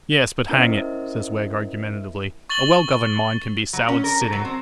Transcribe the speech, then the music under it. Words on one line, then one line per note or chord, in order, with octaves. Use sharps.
'Yes, but hang it,' says Wegg argumentatively, 'a well-governed mind can be soured sitting!
C#4 E4 A#4 C5 D#5 E5
C#6 A6 F#7 G7
F#3
C#4
A#4
A3
F#3
C4